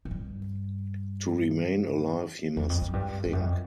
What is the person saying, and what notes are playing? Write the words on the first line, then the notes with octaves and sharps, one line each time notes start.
To remain alive, he must think.
G#2
G2
E2
F2
F#2
G2
F2
F#2
F2